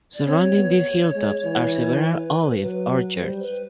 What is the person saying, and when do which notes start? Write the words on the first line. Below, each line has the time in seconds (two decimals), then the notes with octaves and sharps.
Surrounding these hilltops are several olive orchards.
0.14 D5
0.26 C4 C#5
0.56 B3
1.15 G#3
1.45 E3
2.03 B4
2.63 F#3 B4
2.92 B4
3.21 G3 C5
3.42 B4